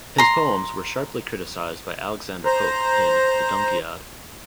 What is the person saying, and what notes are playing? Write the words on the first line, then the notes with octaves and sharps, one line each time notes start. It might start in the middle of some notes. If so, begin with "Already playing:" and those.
His poems were sharply criticized by Alexander Pope in "The Dunciad".
A#5 C6
C5 A#5